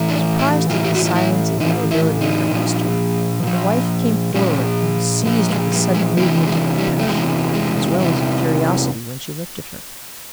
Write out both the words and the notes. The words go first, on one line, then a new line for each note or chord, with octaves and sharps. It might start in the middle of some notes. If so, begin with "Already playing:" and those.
Surprised at the silence and immobility of her customer, the wife came forward, and was seized with a sudden movement of compassion as well as of curiosity when she looked at her.
Already playing: A2 E3
D4
E4
A2 E3 F4
G4
F#4
F4
E4
A2 E3 D#4
E4
D#4
A#2 F3
A#2 F3
A#2 F3 C#4
A#2 F3
G#3
G3
G#3
E2 C3 E3 A#3
G#3
G3
A3
E2 C3 E3 G#3
G#3
E2 C3 E3